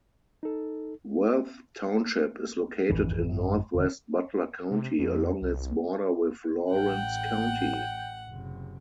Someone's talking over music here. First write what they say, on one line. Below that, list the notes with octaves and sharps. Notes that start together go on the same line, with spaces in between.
Worth Township is located in northwest Butler County, along its border with Lawrence County.
D#4 A4
D#1 G#1 F2 E3
G#1 F#2
E1 D3
C3
F2
C2
A1 F#5 G5
F#1 C3